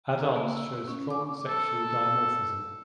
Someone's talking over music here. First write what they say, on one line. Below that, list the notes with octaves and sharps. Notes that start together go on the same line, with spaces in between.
Adults show strong sexual dimorphism.
A#5
A#3
E6
C#4
D6
A4